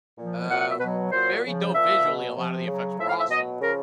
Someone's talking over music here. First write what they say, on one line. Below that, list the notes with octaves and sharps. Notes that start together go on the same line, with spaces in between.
Um, very dope visually, a lot of the effects were awesome,
A#2 F3
A#2 F#3 F#5
F#5
E5
B2 F#3 B4
A#2 F#3 C5
C#3 F3
A#2 F3 E5
B2 F#3
C3 F3
C#3 F#3
A2 F3 E5
F5
E5
B2 F#3 D#5
C#3 F3 A#4